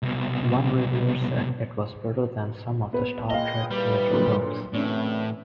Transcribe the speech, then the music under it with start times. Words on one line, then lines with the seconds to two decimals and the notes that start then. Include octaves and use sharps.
One reviewer said it was better than some of the Star Trek theater films.
0.03 C2 B2
2.93 B3 B4
3.30 A#2 G#4 B4 D#5 F5 G5
3.71 G3 D#4 E4 B4
4.12 A#2 D3 F#3
4.73 F#2 A2 C3 E3 C#4 D4